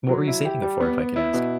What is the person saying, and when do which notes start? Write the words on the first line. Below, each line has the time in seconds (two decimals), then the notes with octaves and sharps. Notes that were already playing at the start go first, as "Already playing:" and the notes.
What were you saving it for, if I could ask?
0.09 F#3
0.27 E4
0.45 G4
0.62 G3
0.81 B3
0.98 B3
1.16 E4
1.33 B2